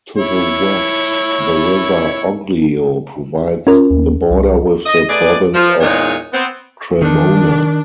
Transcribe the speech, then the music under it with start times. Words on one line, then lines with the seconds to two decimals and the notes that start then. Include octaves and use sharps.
To the west, the River Oglio provides the border with the Province of Cremona.
0.18 E4 C#5
3.67 C#4 F4 A#4
3.90 D#2
4.30 C2
4.86 D#5
5.09 A3 G#4 B4 D5
5.54 F3
5.81 E2 A#2 G#3 A#3 D#4 C#5
6.33 B3 C4
7.01 D#3 D4